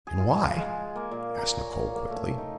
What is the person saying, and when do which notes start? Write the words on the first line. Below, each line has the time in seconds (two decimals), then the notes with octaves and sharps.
"And why?" asked Nicholl quickly.
0.07 G#4
0.20 F4
0.45 F5
0.59 G#3
0.96 A#3
1.11 A#2
1.38 A#5
1.58 C#5
1.95 A#3
2.10 A3
2.38 D#4